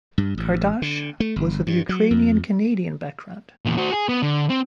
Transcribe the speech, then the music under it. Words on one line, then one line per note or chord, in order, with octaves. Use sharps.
Kardash was of Ukrainian Canadian background.
G2
A1
D3
A3
G1
G2
F#3
F2
E2 A#2
F#4 C5
G#4
B3
D3
C4